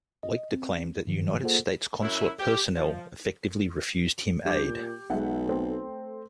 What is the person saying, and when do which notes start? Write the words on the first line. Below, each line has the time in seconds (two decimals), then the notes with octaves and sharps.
Leuchter claimed that United States consulate personnel effectively refused him aid.
0.23 D#5
0.52 C4
1.07 G2 D#3 F3
1.43 A#3 F4 G#4 A4 C5 F#5
2.02 F#2 E4
2.40 G4
2.76 F3
4.45 G2 G4 D6 G6
4.68 A#2
5.10 B1 G#3 E5 F#5
5.46 A3 C4